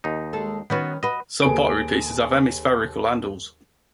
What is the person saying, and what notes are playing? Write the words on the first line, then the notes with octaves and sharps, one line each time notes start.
Some pottery pieces have hemispherical handles.
D#2 D#4
G#3 A4
D#3 B3 C#4 F#4 B4
F#4 B4 D#5
D#2 G#4 A4 B4 D7